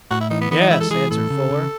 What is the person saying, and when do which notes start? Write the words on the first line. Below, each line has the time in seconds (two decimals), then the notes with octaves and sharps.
"Yes," answered Fuller.
0.11 A2 F#4
0.20 E4
0.30 E3 D#4
0.41 B3
0.51 E3 B3
0.61 D#4
0.70 G#3 E4
0.80 A4
0.90 E3 G#4
1.11 A2 A4
1.30 C#3
1.50 C#3